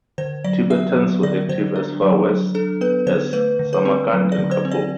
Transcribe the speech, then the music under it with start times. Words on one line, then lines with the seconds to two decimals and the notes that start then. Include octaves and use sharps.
Tibetans were active as far west as Samarkand and Kabul.
0.18 D3 C5
0.44 F#3 D5
0.70 B3 E5
0.96 F#3
1.23 D3 D5
1.49 D3 C5
1.76 D4
2.02 F#3
2.29 F#3
2.55 D4 A4
2.81 B3 B4
3.07 D3 C5
3.33 A3 B4
3.59 D3
3.73 B4
3.85 C4
4.13 F#3
4.32 D5
4.38 D3
4.51 C5
4.65 C4
4.71 D5